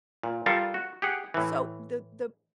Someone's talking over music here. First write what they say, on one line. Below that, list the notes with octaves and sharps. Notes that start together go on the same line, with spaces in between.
So, the the
A#2
G3 F4 A4 A#4 F5
F#4
G4 G#4 F#5
A2 E3